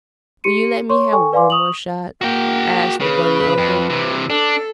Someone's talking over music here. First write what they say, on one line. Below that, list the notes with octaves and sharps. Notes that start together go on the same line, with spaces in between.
"Will you let me have one more shot?" asked the bunny uncle.
G4 C6 C#7 D#7
C#5 C6 C#6
A4 G5 G#5 C#6
B4 D5 F5 G#5 C6 D6
C#6 D#6 F7 F#7
A#3 F#4 G5
C#3 B4
F2
C3 E3
D4 A4